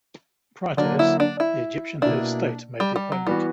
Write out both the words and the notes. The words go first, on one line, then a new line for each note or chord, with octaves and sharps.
Prior to this, the Egyptian head of state made the appointment.
D3 F#3 A#3 D4
E4
D4
E4
B2 A#3 D4 E4
G3
G3
F#3
E3 G3 B3 F#4